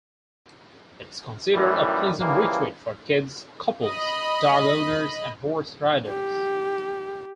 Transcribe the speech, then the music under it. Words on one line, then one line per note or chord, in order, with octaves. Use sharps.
It is considered a pleasant retreat for kids, couples, dog owners and horse riders.
F#2 A2 D#3 E3 G3
C#2 E3 F3 G3 A#3
D#5 B5
G4